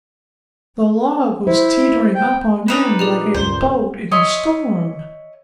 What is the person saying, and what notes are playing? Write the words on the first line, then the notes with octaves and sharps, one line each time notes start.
The log was teetering up on end like a boat in a storm!
E4 C5
G5
D4 D#4 B4 E7 F7
A#2 G4 G#4 D5
C#2 G2 A#3 C5
C#5 D#5 E5 C6